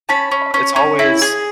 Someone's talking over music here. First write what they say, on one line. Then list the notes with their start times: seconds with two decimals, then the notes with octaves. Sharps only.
a it's always,
0.09 C#4 A5 B5
0.32 C#4
0.54 C#4
0.76 C#4
0.99 E4
1.22 G#4